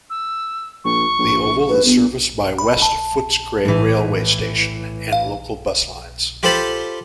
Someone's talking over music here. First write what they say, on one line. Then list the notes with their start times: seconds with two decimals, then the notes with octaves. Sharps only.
The oval is serviced by West Footscray railway station and local bus lines.
0.10 E6
0.84 A#1 C#6
1.19 A#1
1.69 A#1 B4
1.85 G1 B3
2.58 B5
2.82 A5
3.65 A2 E3
5.13 F5
6.43 F4 G4 A4 C5 A5 B5